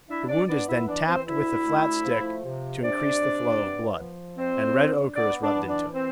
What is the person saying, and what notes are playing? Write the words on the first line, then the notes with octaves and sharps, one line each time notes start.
The wound is then tapped with a flat stick to increase the flow of blood, and red ochre is rubbed into it.
D4 E4 E5
D4 D5
B3 D4 D5
E4 E5
E3 D4 D5
C4 C5
D2 E4 E5
A3
F3
C3
C3 D4 D5
C3
B3
F3
F2 C4 C5
D4
B3 D4 D5
D4 D5
E3
D4 D5
C4 C5